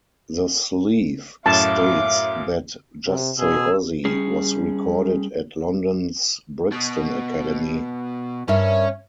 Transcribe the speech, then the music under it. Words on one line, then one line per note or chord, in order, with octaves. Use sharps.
The sleeve states that "Just Say Ozzy" was recorded at London's Brixton Academy.
F#2 A2 E5 F5 A5 D6
C3
B2 G#4 E6
G3 C#4 G#4
B2
G2 C#4 A#4 E5